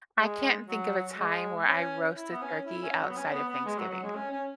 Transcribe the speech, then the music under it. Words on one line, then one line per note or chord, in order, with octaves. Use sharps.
I can't think of a time where I roasted turkey outside of Thanksgiving.
G#3
F#3
G#3
C#4
E4
B3
C#4
E4
C#4
F#3
B3
C#4
B3
B3
G#3
F#3
F#3
G#3
C#4
C#4